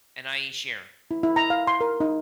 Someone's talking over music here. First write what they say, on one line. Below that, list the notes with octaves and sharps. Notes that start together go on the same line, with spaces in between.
and I ain't sharing."
E4
E4
A#5
F5
C6
A#4
D#4